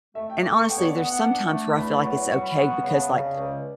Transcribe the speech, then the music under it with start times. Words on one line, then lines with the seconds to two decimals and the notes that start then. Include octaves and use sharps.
and honestly there's some times where I feel like it's okay because, like,
0.15 A3 E5
0.30 G5
0.43 A3 D6
0.55 C#6
0.69 B3 G5
0.78 C#5
0.82 D5
0.96 B3 F#5
1.09 F#5
1.23 D4
1.50 A3
1.76 E2 B5
2.04 F#3
2.30 G3 C#6
2.43 B5
2.57 B3 C#6
2.70 C#6
2.83 C#3 B5
2.97 A5
3.10 C#3 A5
3.24 D5
3.37 C#2